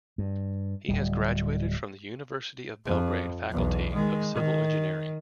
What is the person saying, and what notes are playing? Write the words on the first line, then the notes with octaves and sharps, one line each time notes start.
He has graduated from the University of Belgrade Faculty of Civil Engineering.
G2
D1 G3
F2
B1 E2
D#3 G#3
D#3